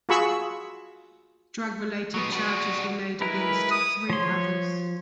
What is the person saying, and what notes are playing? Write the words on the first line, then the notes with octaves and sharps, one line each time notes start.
Drug-related charges were laid against three others.
F4 F#4 G#4 B5 C#6 E6
F#3 B3
G3 F#4
G#3 E4 A#4 B4
D#6
F3 C#5 C6